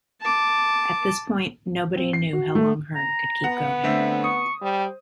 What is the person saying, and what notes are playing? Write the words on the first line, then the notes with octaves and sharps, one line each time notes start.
At this point, nobody knew how long Hearne could keep going.
A5 D6
C4
C7
F#4
A3
A#5
B3 F#5
D3 A3 C4 E5
C#6 D#6
G3 C5